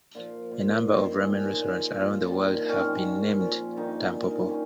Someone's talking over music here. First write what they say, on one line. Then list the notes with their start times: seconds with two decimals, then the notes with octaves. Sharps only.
A number of ramen restaurants around the world have been named Tampopo.
0.15 A#2 F3 F5
0.51 A#2 F3
0.87 G2 D#3 D#5
1.00 C5
1.12 C#5
1.23 G2 D#3 G#4
1.60 A#2 F3
1.97 A#2 F3
2.33 G2 D#3
2.69 G2 D#3 C#4
2.81 C4
2.93 C#4
3.04 A#2 F3 C#4
3.40 A#2 F3
3.77 G2 D#3 D#4
4.13 G2 D#3
4.49 D#3 C#4